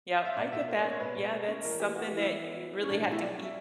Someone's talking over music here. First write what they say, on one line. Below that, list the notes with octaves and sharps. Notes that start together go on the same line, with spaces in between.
yep, I get that. Yeah, that's something that you really have to keep
E5
B2 D5
B2 E5
A#3
D5
C#4
C#5
B2 B4
B2
A#3 D5
C#4
E3 A#4
B3 G4
B3 F#4
G4
E3
E4
E3
B3
B3
E3
C#4
B2 D4
D4
B2
E4
F#3 D5
C#4
E5